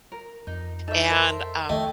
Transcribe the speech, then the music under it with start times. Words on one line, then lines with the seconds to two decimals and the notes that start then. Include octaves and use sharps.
and, um,
0.12 A#4
0.47 F2 D#4
0.88 D#4 A4 C#5 E5
1.09 A4 A#4 C5 E5
1.69 D2 D#3 F3 A3 C#5 D#5 G5